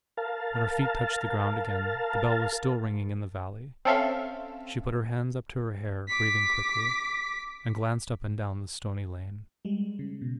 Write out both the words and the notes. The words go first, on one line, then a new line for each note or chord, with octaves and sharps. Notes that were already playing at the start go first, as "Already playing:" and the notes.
When her feet touched the ground again, the bell was still ringing in the valley; she put her hands up to her hair, breathing quickly, and glanced up and down the stony lane.
A#4 F5 A5
C4 C#4 A4 E5 F5
D6 B6
G3 G#3
C#3
B2